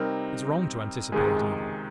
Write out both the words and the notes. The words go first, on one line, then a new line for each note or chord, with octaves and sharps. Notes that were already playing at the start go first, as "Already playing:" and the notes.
'It's wrong to anticipate evil.
Already playing: C3 G3 C4 D#4 A#4
C#2 C3 D#3 G#3 G#4